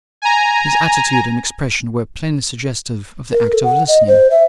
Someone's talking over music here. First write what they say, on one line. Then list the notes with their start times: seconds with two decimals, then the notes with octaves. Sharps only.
His attitude and expression were plainly suggestive of the act of listening.
0.22 G#5 A#5
3.32 A#4
3.52 A4
3.64 F#5
3.88 D#5
4.08 C5
4.31 E5